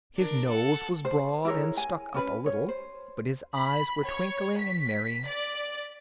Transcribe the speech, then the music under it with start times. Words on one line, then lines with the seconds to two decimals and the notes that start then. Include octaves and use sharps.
His nose was broad, and stuck up a little; but his eyes were twinkling and merry.
0.17 D4 A#4
0.49 A4 F#5
1.05 C5
1.45 E4 G#4 A#4 C#5
1.77 G#5
2.14 C#4 B4
2.46 C#5
2.68 C5
3.54 B5
4.07 C#5
4.58 B6
5.27 D5